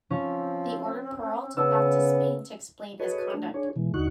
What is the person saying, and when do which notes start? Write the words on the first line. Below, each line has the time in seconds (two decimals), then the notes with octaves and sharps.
They ordered Peralta back to Spain to explain his conduct.
0.10 F3 C4 C#4
1.57 C#3 B3 E6
3.00 F#4 G#4 A4 B4 C#5 D#5
3.34 A3 D4
3.54 D4 G#4 C#5
3.76 B2 E3 G#3
3.94 D#2 D3 D#4 F#4 C#6 F#6